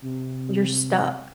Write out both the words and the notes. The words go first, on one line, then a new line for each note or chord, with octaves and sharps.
you're stuck.
C3